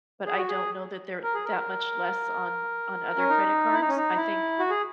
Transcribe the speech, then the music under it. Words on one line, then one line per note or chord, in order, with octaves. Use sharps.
but I don't know that they're that much less on on other credit cards. I think,
G#4
F#4
G#4
A#4
G#4
A#4
C#4
D#4
E4
D#4
C#4
D#4
E4
F#4
G#4